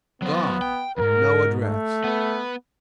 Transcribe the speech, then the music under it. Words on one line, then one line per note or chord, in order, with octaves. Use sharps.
Gone--no address.
F#3 B3 C5
G5
F2 G#2 A#4
A3
B3 B4